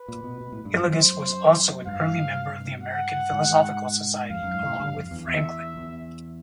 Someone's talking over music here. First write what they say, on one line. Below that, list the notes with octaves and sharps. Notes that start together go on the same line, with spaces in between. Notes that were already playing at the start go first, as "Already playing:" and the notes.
Hillegas was also an early member of the American Philosophical Society, along with Franklin.
Already playing: B4
A#2
B2
B2
A2
G2
F#2
C5
G2 F5
F#5
G#2
F2 F5
F#2
G#2
A2
G2
F2
E2
E2 E5
E2